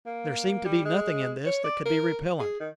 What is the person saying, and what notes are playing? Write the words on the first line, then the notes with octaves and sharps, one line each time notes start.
There seemed to be nothing in this that could be repellent.
A#3
G3
G#3
C#5
D5
A#4
G#4
D#3